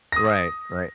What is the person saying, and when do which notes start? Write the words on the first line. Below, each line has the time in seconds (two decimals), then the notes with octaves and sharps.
Right, right.
0.12 D#6 A#6